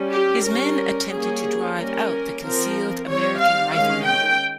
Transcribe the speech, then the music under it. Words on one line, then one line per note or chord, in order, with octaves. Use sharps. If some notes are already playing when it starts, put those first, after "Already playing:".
His men attempted to drive out the concealed American riflemen.
Already playing: G3 C#4
G4
G3 C#4 A#4
G3 A#3 C#4 G#4
G3 A#3 C#4 A#4
F3 C4 A#4
G3 C4 C#5
F5
D#3 G#3 C#4 F5
G5